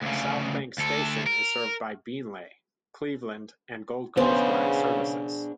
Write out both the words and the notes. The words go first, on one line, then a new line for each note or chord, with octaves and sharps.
South Bank station is served by Beenleigh, Cleveland and Gold Coast line services.
D2 C#3
D2 A4
A#4
C#3 B3 D4 G#4 C5